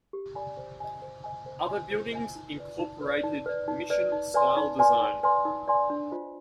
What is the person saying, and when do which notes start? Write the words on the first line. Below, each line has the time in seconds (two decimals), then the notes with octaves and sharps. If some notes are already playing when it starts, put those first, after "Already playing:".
Other buildings incorporated Mission style design.
0.13 G4
0.35 D5 G#5 B5
0.57 C5
0.80 D#5 G#5
1.02 C5
1.24 D#5 G#5
1.46 C5
1.69 D#5 G#5
1.91 C5
2.13 D#5 G#5
2.35 D#4
2.57 B4 D5
2.79 D#4
3.01 B4
3.06 D5
3.23 D#4
3.46 B4 D5
3.68 D#4
3.90 B4 D5
4.12 D#4
4.34 B4 D5 G#5 C6
4.57 D#4
4.79 B4 D5 G#5 C6
5.01 D#4
5.23 B4 D5 G#5 C6
5.45 D#4
5.67 B4 D5 G#5 C6
5.90 D4
6.11 F4 C5 D#5